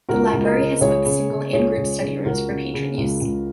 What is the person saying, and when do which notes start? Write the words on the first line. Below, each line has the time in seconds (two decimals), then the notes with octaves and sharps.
The Library has both single and group study rooms for patron use.
0.09 C#2 F#4 A#4
0.33 C#2
0.45 A#4 D#5
0.57 C#3
0.81 C#2 G#4 C#5
1.05 C#3
1.29 C#3
1.53 C#2 G#4 C#5
1.77 C#2
2.01 C#3
2.25 C#2 F#4 A#4
2.49 C#3
2.74 C#3
2.98 C#2
3.21 C#2